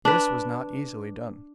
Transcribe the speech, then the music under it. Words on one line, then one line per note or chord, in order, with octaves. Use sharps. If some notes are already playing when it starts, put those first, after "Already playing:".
This was not easily done.
D4 B4